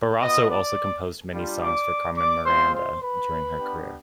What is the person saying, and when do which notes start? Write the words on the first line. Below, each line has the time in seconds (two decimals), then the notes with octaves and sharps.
Barroso also composed many songs for Carmen Miranda during her career.
0.21 B3 F4 D#5 D#6
0.49 D5 D6
1.33 G3 D4 F4
1.62 D5 D6
2.17 D5 D6
2.45 G#3 C4 F4 C5 C6
2.75 C5 C6
3.01 B4 B5
3.58 B3 D4 G4